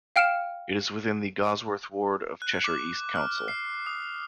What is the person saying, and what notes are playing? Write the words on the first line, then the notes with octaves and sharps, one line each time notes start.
It is within the Gawsworth Ward of Cheshire East Council.
F5 G5 F6 C#7 E7
F#6
D6
F6
C7
D#6